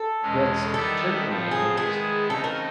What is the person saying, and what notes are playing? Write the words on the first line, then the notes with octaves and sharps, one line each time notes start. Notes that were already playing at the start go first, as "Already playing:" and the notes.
That's, certainly an interesting take.
Already playing: A4
E2 B2 G#3 C#4
D#3 G3 B3 E4 G4 A4
A2 F3 A3 C4
G#4
D#3 G#3 B3 E4 G#4
C#3 E3 A3 C4 D#4 A4
A#4